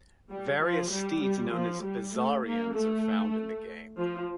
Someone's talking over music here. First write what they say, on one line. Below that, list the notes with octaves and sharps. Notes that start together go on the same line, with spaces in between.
Various steeds known as bizarrians are found in the game.
G3
F3
G3
G3
F3
G3
A3
A#3
A3
F3